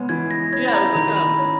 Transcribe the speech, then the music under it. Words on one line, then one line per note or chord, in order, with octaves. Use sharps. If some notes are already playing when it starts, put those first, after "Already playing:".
Yeah, it was like, um,
Already playing: C#3 G#3 B3
E3 G#6
A#6
C#4 G#6
B5
A#5
D#3 A#5
B5
C#4